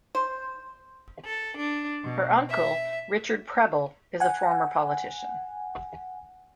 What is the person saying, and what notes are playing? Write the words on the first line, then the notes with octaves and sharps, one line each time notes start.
Her uncle Richard Prebble is a former politician.
C5
A4
D4
B2
E5
F#5 G#5